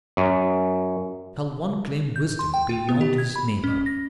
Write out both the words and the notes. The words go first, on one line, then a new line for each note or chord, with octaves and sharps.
Shall one claim wisdom beyond his neighbor?
F#2
G6
C6
G5
F4
B3
G4
G#6
B5
C#4
A#6